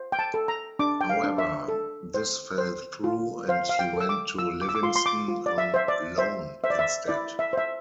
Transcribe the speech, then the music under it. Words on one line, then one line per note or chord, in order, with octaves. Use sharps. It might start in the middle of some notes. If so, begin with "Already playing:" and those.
However, this fell through and he went to Livingston on loan instead.
Already playing: C5
G5
A5
A4
A#5
D4 D6
G5
F5
D4
E5
A4
C5
C5
F4
C5 F5
F5
G5
A4
E6
D6
F4 E6
D6
E6
D6
F4 C6
C6
D6
F4
D5
E5
C5 E5
D5
C5 E5
C5 E5
D5
E5
E4 D5
E5
C5 E5